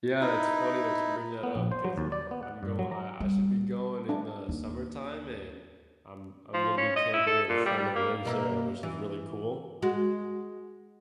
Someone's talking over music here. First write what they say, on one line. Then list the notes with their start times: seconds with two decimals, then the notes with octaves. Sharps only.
Yeah, that's funny that you bring that up, 'cause I'm going I I should be going in the summertime, and I'm I'm gonna be camping with a friend that lives there, which is really cool,
0.21 D#4 E4
1.43 B3
1.56 A#1
1.71 C5
1.85 F#3
1.98 D#2
2.12 D5
2.31 B3
2.43 F#5
2.63 G2
2.79 F#3
2.91 A#5
3.20 G3
4.09 D4
4.49 D#2
6.53 F3
6.77 C#4
6.96 D#5
7.13 E4
7.27 A4
7.49 A#2
7.66 G3
7.78 G3
7.95 A#3
8.25 B2 A#3 E5
8.83 E3
9.82 G#3 F#4